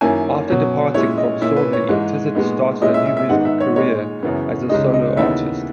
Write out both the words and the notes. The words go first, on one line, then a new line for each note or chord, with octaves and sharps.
After departing from Thornley, Tizzard started a new musical career as a solo artist.
F#2 D#3 A#3 C#4 E4 G#5
B2 F#3 C#4
A#2 G#3 C#4 E4 C#5
D#5
A#2 A#3 C#4 E4 E5
B4
C#5
G#2 E3 G#3 D#4
A#2 G#3 B3 D#4
A#2 G#3 C#4 E4 D#5
E5
E5
E5
G#2 D#3 G#3 B3 D#4 F#5
E5
C#5
A#2 G#3 D#4 C#5
F#2 C#3 E3 B3
C#2 C#3 G#3 D#4 D#5
D#5
D#2 C#3 E3 B3 D#4 E5